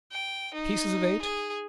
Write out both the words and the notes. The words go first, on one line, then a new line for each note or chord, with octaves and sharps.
Pieces of eight!
G5
D#4
G#4